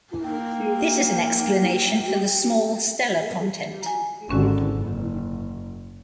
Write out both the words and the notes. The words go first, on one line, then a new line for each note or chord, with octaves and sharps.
This is an explanation for the small stellar content.
A#3 G5
G#5 A#5
G#1 D3 C4 C#4 F#4
F#1